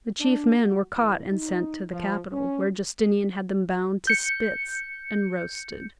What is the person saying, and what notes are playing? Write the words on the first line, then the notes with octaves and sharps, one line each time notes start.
The chief men were caught and sent to the capital, where Justinian had them bound to spits and roasted.
D4
F#4
E2
D#4
F3
C#4
G6 C#7